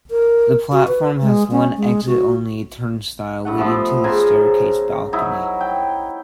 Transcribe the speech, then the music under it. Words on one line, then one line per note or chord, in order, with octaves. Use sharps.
The platform has one exit-only turnstile leading to the staircase balcony.
A#4
F#4
B4
G#3
C#4
G#3
F#4
G2 A3 F#5
F3 B3 E5 D6
C#3 A#4 C5 G#5
F#3 D#4 E4
G5